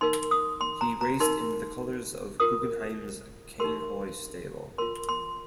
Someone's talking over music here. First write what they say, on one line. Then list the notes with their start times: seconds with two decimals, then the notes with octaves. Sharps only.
He raced in the colors of Guggenheim's Cain Hoy Stable.
0.01 D#4 A#4 C6
0.31 D#6
0.61 C6
0.81 A#5
1.01 A#5
1.20 D#4 A#4 C6
2.40 F4 A#4 D#6
3.60 D#4 G4 A#4 C6
4.78 F4 A#4 C6
5.09 C6